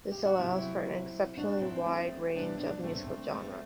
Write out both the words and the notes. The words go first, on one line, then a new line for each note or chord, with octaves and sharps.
This allows for an exceptionally wide range of musical genres.
G4
F#4
C3 F#3 C4 E4
D4 F#4
C4 E4
A3 C4
C4
C3 G3 B3 D4
B3 D4
A3 C4
A3 C4